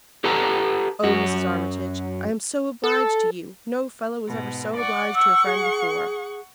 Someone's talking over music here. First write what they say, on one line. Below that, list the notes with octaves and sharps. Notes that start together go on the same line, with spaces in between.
"Oh, Mrs. Armitage, I am so obliged to you! no fellow was ever so obliged to a friend before."
G4 A4 B4 F#5 A5 A#5
F#2 F#4
A4
G#2 B2
D5 F#5 C#6
F#5 C#6 E6
G#4